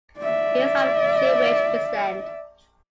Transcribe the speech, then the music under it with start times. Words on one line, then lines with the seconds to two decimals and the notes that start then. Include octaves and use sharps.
He is of Jewish descent.
0.19 D5 E5